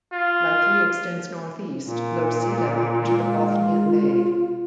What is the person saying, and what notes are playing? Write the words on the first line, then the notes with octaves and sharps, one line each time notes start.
Likely extends northeast below sea level into the Bothnian Bay.
F4
A#2
G#3 F4